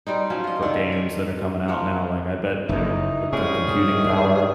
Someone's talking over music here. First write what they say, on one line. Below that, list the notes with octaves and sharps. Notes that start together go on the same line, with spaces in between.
for games that are coming out now, like, I bet they're with the computing power
G3 C4 D#4
F3 F#3 C#4
F4 D#5
C3 D#3 D4 A4
C#5
F3 A#4 F#5
F#1 F#2 D#4 E4
G#2 G3 C#4 G#4
D#3